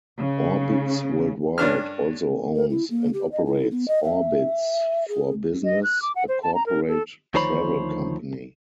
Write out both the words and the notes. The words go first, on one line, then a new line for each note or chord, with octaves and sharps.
Orbitz Worldwide also owns and operates Orbitz for Business, a corporate travel company.
C#3
G2 C#4 D4 F6
A#4
E4
A#3
G4
D#5
E4
B3
D#5
E5
G#4
D#5
F#6
D6
F#5
C5
A5
A#5
A#4
A4
D2 D#3 F3 C5 C#5 B5